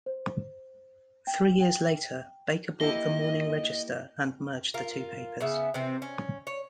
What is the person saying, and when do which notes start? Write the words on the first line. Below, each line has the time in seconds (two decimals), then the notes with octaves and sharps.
Three years later, Baker bought the "Morning Register" and merged the two papers.
0.06 C5
1.27 G5
1.61 G5
2.81 A#3 E4 G4 D#5
4.74 F4 A#4
5.40 C#3 B3 E5
5.74 C3 E3 C4
6.02 C#4
6.47 C#5